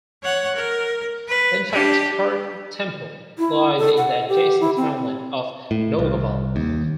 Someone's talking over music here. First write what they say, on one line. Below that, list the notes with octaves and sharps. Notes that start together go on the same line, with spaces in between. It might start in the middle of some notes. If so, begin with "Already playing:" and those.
In fact Carntemple lies in the adjacent townland of Noughaval.
C#5 F#5
A#4
B4
D4 G4
E4
A4
F#5
G4
E4
C4
A2
C2
D#2